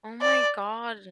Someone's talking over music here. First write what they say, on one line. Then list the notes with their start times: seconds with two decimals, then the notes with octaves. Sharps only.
Oh my god,
0.22 D5